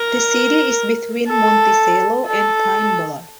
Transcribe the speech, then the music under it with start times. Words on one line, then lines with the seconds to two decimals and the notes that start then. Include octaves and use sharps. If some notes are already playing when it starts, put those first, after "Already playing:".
The city is between Monticello and Pine Bluff.
Already playing: A#4
1.29 A4
2.28 A4